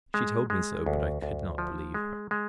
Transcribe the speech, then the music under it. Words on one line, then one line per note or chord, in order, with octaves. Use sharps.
She told me so, but I could not believe her.
G#3
G#3
D2
D2
F3
G#3
G#3